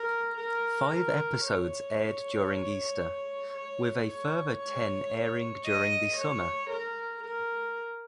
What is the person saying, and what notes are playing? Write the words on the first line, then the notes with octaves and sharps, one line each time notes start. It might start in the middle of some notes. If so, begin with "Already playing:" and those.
Five episodes aired during Easter, with a further ten airing during the summer.
Already playing: A#4
A#4
A#4
C#5
C#5
C#5
C#5
D#5
C#5
A#4
A#4